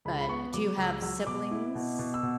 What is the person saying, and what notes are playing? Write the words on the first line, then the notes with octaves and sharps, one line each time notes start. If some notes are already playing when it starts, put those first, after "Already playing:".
But, do you have siblings?
C#2 B5
B5
B3 C#6
F#3 D6
C#2 E6
F#3 E6
B2 D6
E4
B2
B2
E6
B2